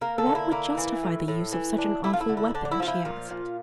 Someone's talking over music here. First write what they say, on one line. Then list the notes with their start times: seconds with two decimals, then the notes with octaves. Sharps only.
"What would justify the use of such an awful weapon?" she asked.
0.01 A#3 A#4
0.18 A4
0.26 D3
0.35 E4
0.52 A#3 E4
0.77 E3
1.03 A2
1.28 A2
1.53 E3
1.78 D4
2.04 A3 E4
2.13 F4
2.21 E4
2.29 D3
2.37 E4
2.54 D3 D4
2.65 D4
2.71 E4
2.80 F3 F4
2.88 E4
3.05 A#2 F4
3.30 A#2